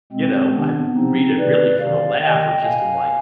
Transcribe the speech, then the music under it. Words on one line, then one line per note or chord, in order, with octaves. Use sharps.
you know, I read it really for a laugh or just I'm, like,
B2 G#3 C4
C3 D#3 B3 D4
C3 F3 C4 D#4
C3 D#3 B4 D5
C3 D#3 D5 F5
C3 D#3 D#5 G5
B2 F5 G#5